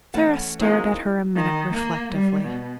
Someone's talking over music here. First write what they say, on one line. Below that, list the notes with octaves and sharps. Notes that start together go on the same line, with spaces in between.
Sara stared at her a minute reflectively.
E3 A3 C#4 B4 F#5 A5
F#3 G#3 A#3 C4 D#4 E4
D#3
A#3
G3
B2